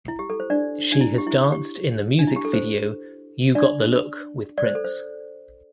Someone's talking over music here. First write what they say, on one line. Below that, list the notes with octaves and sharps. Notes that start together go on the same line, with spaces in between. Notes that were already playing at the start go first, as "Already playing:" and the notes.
She has danced in the music video "U Got the Look" with Prince.
E4
G4
A4
C5
D4 D5
D4
E4
G4
E4
G4
D4
E4
G4
A4
C5
D4 D5
D5
C5
A4
C5